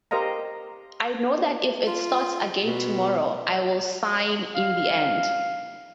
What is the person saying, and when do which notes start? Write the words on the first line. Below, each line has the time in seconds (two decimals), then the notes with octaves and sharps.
I know that if it starts again tomorrow, I will sign in the end.
0.11 G4 A#4 C5 D#5 F5 A#5
1.87 F4
2.66 B2
4.55 F5